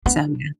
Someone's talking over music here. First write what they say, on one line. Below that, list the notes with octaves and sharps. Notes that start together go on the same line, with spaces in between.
so yeah.
B3 D4